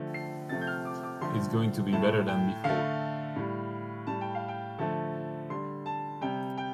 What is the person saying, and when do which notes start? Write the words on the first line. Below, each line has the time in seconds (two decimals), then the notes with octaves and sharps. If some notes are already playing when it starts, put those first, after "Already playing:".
It is going to be better than before.
Already playing: D3 F3 A3
0.14 C7
0.49 C3 F3 A3 A6
0.61 G6
0.67 F6
0.85 D6
1.03 D6
1.21 D3 F3 A3 C6
1.93 A2 A3 A5
2.28 G5
2.64 D3 A3 F5
3.36 A2 G3
4.07 A2 G3 A5
4.21 G5
4.35 F5
4.48 G5
4.78 D3 F3 A3 A5
5.50 D3 G3 C6
5.86 A5
6.21 C3 G3 G5
6.58 G5